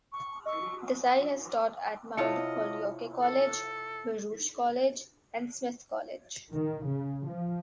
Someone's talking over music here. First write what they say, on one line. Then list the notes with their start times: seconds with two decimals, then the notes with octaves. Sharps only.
Desai has taught at Mount Holyoke College, Baruch College and Smith College.
0.12 C#6
0.46 D#5 C#6 E6
2.17 C3 E4 F4 C#5 D#5 A5 C#7
3.20 A4
6.54 D#3
6.87 C#3
7.27 F3